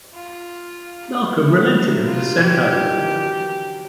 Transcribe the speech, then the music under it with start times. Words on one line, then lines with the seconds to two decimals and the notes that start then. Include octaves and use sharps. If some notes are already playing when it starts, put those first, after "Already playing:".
Malcolm relented and was sent home.
0.14 F4
1.28 B3 E4
1.48 A3
1.67 G3
1.87 F#3
2.05 F3 F4
2.24 F3
2.43 E3 G4
2.57 F3
2.70 E3
2.82 D#3
2.95 D3
3.08 E3
3.21 F#3